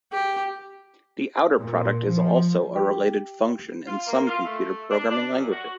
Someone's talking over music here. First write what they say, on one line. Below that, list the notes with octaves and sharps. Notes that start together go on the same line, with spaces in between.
The outer product is also a related function in some computer programming languages.
G4
A#2
F3
G4
F4
A#3
F4
A3
D4
D4
F#2
F#4